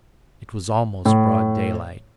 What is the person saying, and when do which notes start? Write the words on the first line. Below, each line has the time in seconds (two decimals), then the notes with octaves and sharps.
It was almost broad daylight.
1.05 A2